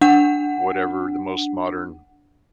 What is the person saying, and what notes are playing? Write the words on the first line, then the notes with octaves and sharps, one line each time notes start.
whatever the most modern,
D4 F#5